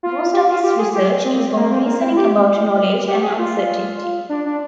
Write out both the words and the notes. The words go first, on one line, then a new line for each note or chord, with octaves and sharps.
Most of his research is on reasoning about knowledge and uncertainty.
F4
G4
F4
G4
G#4
G4
C4
A#3
C4
A#3
C4
G4
G4
G#4
F4
D4
D4